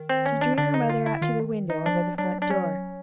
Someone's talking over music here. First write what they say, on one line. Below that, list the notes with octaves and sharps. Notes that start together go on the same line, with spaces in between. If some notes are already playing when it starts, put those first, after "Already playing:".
She drew her mother out to the window over the front door.
Already playing: D#3
C4
C#4
D4
D3 D4
D#4
F4
E4
D#3 F4
D#4
F3 D4
F#3 D4
D4
C#4